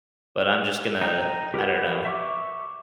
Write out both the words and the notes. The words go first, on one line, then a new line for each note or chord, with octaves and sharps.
but I'm just gonna, I don't know
D#4 G5 G6
G4 A#4 B4 F#5
E5 C#6 D6